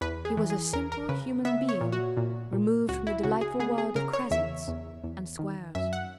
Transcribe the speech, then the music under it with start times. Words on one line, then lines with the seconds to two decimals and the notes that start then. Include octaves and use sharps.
He was a simple human being removed from the delightful world of crescents and squares.
0.01 E2 B4
0.25 G#4
0.37 E3
0.50 G#4
0.73 E2 A#4
0.92 A#4
1.09 C#3 B4
1.45 B3 E5
1.69 C#5
1.81 A#2
1.92 F#4
2.17 A#2
2.53 A#2
2.89 C#2 F#4
3.07 E4
3.24 C#3 F#4
3.41 G#4
3.60 B3 G#4
3.78 G#4
3.95 C#3 A#4
4.13 C#5
4.31 E2 E5
4.68 E2
5.04 E2
5.39 D#3
5.75 F#2 E5
5.93 F#5